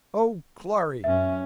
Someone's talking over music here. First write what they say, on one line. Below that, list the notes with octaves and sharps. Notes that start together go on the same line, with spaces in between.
Oh, glory!
F#2 C#4 E5